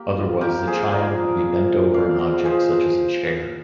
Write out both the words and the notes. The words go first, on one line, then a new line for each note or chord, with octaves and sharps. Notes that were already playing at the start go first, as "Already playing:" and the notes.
Otherwise the child would be bent over an object such as a chair.
Already playing: A#3 G4
F4
F3 G4 A#4
A#3 G#4 C5
F3 A#4 D5
D4
F3
A#3
F3 D5 F5
G#3 C5 D#5
F3 G#4 C5